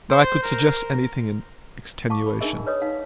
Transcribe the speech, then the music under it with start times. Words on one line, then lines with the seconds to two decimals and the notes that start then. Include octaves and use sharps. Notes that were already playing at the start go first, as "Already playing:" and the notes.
That I could suggest anything in extenuation!
0.11 C5
0.43 A#4
2.10 F5 A5 C#6 D6
2.26 B5
2.41 D4 D#4 G#4 A#4 D#5 E5
2.67 B4 C#5 D#5 D#6
2.82 D#4 F5